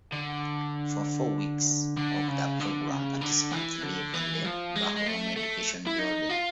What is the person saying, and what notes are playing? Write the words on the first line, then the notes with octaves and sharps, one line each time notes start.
For four weeks of the program, participants live in the Bahrom Education building.
D3
D3
C#3
D3
C#3
D3
E3
D3
E3
F3
G#3
G#3
A3
A3
E4
D#4
F4